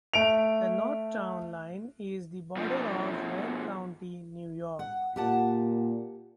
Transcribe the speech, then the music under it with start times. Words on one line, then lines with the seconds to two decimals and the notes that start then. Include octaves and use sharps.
The north town line is the border of Wayne County, New York.
0.13 A3 D7 F7
2.56 B2 F3
4.79 F#5
5.16 A#2 G4 F#5 A5